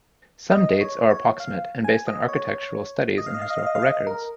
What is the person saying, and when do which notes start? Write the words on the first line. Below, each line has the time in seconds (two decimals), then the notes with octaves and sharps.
Some dates are approximate and based on architectural studies and historical records.
0.51 D#5
0.81 C#5
1.10 C#5
1.40 F5
1.84 G#5
2.07 D#5
2.28 C#5
3.18 D#5
3.26 F5
3.34 D#5
3.42 F5
3.50 D#5
3.58 F5
3.67 D#5
3.75 F5
3.82 D#5
4.07 A#4